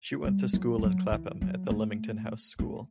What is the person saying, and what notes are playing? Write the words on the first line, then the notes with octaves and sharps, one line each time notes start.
She went to school in Clapham at the Lymington House School.
G3
F#3
G3
F#3
E3
F#3
A3
A3